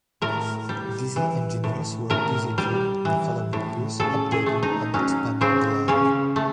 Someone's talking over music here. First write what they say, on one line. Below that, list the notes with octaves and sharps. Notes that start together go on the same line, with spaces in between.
Diesel engineers were busy during the following years updating and expanding the line.
A2 A#4
G3
E3
A2
A2 A#4
G3
E3
A2
C#3 A4
G#4
A3
D#4
F#3 C#4
C#3 C4
C#3 C#4
A3